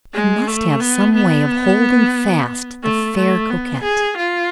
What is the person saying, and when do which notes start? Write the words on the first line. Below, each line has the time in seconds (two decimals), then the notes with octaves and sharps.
He must have some way of holding fast the fair coquette.
0.14 G#3
0.47 A3
0.80 B3
1.15 B3
2.83 A3
3.16 A3
3.50 B3
3.83 G#4
4.17 F4